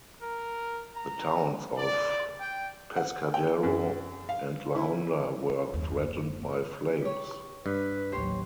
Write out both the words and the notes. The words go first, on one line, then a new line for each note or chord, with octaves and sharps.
The towns of Pescadero and La Honda were threatened by flames.
A#4
A#5
D5
G5
F#5
G5
F#2
F5
E4
F#1 D#2
G4 C#5
G2 B4
A1 D#2 F#3 G4 C5 C#5